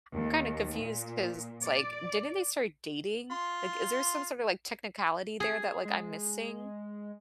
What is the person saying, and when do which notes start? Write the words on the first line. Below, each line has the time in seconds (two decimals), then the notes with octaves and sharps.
I'm kinda confused 'cause, like, didn't they start dating? Like, is there some sort of, like, technicality there that, like, I'm missing?
0.13 D#2
0.79 A#2
1.64 D5
3.30 F4 C6
5.40 G#4
5.85 G#3